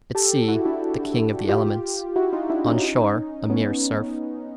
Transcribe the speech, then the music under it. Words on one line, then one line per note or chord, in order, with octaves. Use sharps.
At sea, the king of the elements; on shore, a mere surf.
G4 A4
E4 F#4
D4 E4
F4 G4
E4 F#4
D#4 F4
D4 E4
C#4 D#4
B3 C#4